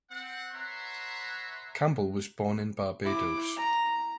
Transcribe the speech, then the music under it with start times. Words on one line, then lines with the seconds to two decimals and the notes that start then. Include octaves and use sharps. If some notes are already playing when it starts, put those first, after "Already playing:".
Campbell was born in Barbados.
0.10 C4 F#5
0.53 B4 C#5 E5 F#5 A#5 C6
3.04 E4 D6
3.56 A#5